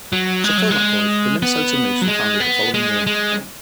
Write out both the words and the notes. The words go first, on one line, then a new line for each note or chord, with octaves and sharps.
To fill that void, the Minnesota Moose were founded the following year.
F#3
G#3
F#3
G#3
B3
F#3
G#3
B3
G#3
G#3